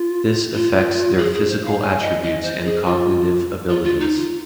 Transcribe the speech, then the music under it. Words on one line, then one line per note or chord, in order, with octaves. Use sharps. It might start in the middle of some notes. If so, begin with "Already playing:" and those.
This affects their physical attributes and cognitive abilities.
Already playing: F4
F4
G#4
G#4
C5
F5
G#5
D#5
D#5
C5
G#4
F4
F4
F4
D#4
F4